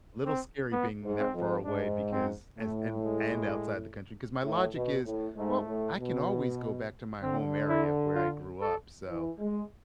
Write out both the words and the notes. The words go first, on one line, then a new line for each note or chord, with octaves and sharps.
A little scary being that far away because as and and outside the country, 'cause my logic is, "Well, I can always go back to my home area where I grew up, so"
C4
B3
G#2
C4
F2
G#2 D4
C4
A2 A3
G#3
A2
B2
A2
G#2 A3
A2
B2
D3 C4
E4
F4
A4
E3
G#3